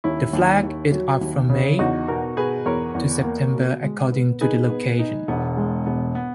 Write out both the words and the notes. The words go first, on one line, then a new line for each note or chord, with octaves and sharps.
The flag is up from May to September according to the location.
D#2 C#4 E4
D#2
D#2
F#3
D#2
C#3
E2 D#4 F#4
B2 F#4 A#4
B2 G#4 B4
E2 A#4 C#5
E2
A#3
B2
G#3
B3
D#4 G#4 B4
B3
D#4
E1 B3
G#3
E1 B3
B3